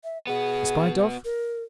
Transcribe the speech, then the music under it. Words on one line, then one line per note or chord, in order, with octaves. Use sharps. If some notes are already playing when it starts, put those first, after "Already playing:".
In spite of?
E5
B3 F#4 G#4
A#4